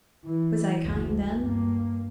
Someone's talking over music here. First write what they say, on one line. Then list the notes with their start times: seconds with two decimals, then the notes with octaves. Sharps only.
Was I kind then?
0.25 E3
0.83 F#1 D2
1.38 G2 A#3